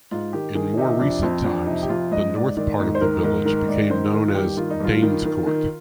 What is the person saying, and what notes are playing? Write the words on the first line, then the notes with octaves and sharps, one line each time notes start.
In more recent times, the north part of the village became known as "Danescourt".
G#2 F4
D#3 G4
D#3 G#4
C3 D#4
F2 D4
F2 C4
F2 D4
C3 D#4
G4
F2 F4
G#2 D#5
G#2 D5
D#3 D5
G#2
C5
D#3 A#4
G#2 A#4
D#3 A#4
G#2 D5
D#3 C5
D#3 A#4
F4
G2 G4
D#3 F4
D#4
G2 F4
D#3
D#3
D#3